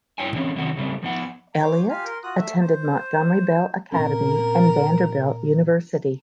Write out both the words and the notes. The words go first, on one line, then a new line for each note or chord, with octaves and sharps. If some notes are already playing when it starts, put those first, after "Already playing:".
Elliott attended Montgomery Bell Academy and Vanderbilt University.
G2 E4 C#5 G5 G#5
D3 E3 C4 C#4 C#5
F#2 C3 D#3 F#4
C#3 G3 A3 C4
F3 B3 F#5
C5 C#5 D6
F4 G4 F5 G#5 F6
A#4 C6
F4 F#4 D#6 F#6
A3 E5
C5
A#2 C4 C#4 A#4